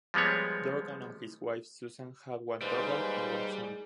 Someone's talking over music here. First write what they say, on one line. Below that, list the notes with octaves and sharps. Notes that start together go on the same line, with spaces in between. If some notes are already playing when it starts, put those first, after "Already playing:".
Dorgan and his wife Susan have one daughter and one son.
F3 G3 G#3 B3 C#5
D#2 G#2 G3 B4 C5